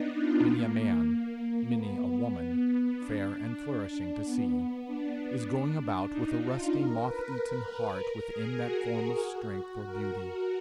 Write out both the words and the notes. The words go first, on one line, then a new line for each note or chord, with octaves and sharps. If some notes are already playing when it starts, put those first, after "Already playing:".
Many a man, many a woman, fair and flourishing to see, is going about with a rusty moth-eaten heart within that form of strength or beauty.
Already playing: B3 D4 D#4
F4
A#3
B3
D4
B3
B3
D4
D#4
F4
A#4
B4
A#4
G#4
F#4
A#4
A#4